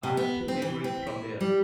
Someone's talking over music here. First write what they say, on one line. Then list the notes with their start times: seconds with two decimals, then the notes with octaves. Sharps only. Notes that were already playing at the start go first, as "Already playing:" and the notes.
I have two degrees from there.
0.03 C3
0.17 B3
0.48 C4
0.62 E3
0.84 C4
1.07 E4
1.41 G3